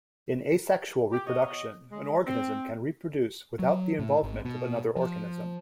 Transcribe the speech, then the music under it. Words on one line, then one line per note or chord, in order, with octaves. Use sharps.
In asexual reproduction, an organism can reproduce without the involvement of another organism.
G4
B2 C#5 D#5
G#3
C4
F#3
A2
G#1
B2
F3